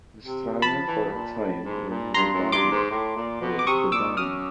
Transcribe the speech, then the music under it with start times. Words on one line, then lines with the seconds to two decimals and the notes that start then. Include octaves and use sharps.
Pastrana for a time remained a barrio of Dagami.
0.24 C3
0.62 F3 A5 B5
0.87 E3
1.13 A#2
1.39 A2
1.64 G#2
1.89 A#2
2.14 G2 A#5 C6
2.34 F#2
2.52 G2 C6 D6
2.72 G#2
2.91 A2
3.16 A#2
3.41 B2
3.59 D6
3.67 C3 C#6 D#6
3.92 A#2 D6 E6
4.17 F#2 D#6 F6